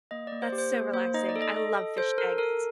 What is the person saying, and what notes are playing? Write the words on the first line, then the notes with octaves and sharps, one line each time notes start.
That's so relaxing, I love fish tanks.
A#3 D#5
A#3 D5
C5
G4
C5
A#3
A#3 C5
D#4 D#5
D5
A4
D#5
A4
A4
A4 C5
A4 A#4
A4 A#4